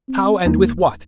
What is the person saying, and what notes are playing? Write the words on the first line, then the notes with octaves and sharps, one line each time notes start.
How, and with what?
C4
D#2 D3 G#3 A#3 D#4